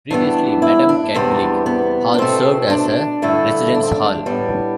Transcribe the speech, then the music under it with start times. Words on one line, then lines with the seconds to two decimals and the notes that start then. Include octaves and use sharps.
Previously Madame Cadillac Hall served as a residence hall.
0.10 G2 E3 B3 D4
0.62 E4
0.89 D4
1.14 E2 C3 G3 B3
1.66 B3
2.14 D4
2.18 B2 A3 C4
2.70 D4
3.22 G2 D3 A3 E4
3.74 D4
3.83 C4
3.91 D4
4.26 A2 G3 B3